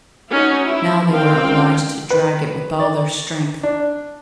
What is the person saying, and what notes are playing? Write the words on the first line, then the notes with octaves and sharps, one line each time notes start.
Now they were obliged to drag it with all their strength.
C#4 D#4 F#4
E4
D#3 C4 F5 G5
C#2
B4
D5
D4